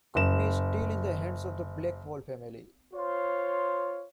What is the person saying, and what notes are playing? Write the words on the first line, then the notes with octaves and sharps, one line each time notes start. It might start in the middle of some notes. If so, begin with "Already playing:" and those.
The company is still in the hands of the Blackwell family.
F#1 E7
F4 C5 C#5